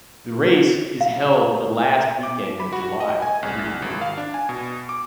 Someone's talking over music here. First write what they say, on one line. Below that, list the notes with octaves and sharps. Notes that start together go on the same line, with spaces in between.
The race is held the last weekend of July every year.
F5
D6
B5
F#4
D#5
G#5
C2
G#1
F5
D4
G#5
B2
D6